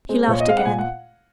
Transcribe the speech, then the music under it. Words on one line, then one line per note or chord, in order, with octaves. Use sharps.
He laughed again.
G#3 C4
A#2 C#5
D#5
G#3 C4 F5
F#5
A#2 G#5
F#5